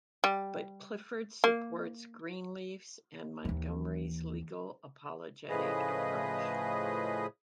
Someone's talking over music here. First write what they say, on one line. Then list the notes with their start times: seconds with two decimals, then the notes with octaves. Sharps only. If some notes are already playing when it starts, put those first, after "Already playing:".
But Clifford supports Greenleaf's and Montgomery's legal apologetic approach.
0.24 G3
1.44 A#3
3.45 D#2 E3
5.49 A2 C#3 F3 G#4 B4 D#5